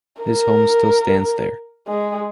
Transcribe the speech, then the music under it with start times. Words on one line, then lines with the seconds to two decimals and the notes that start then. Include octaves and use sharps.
His home still stands there.
0.23 A#4
1.87 G#3